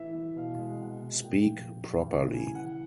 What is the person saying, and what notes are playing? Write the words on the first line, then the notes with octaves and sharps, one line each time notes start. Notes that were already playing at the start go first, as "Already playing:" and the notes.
Speak properly.
Already playing: A2 E3 E5
E3
B2 F5
G#3
C3 F#5
C3
A#2 G5
F3
A#2
G3
E3
C#3 G#5
E3 F#5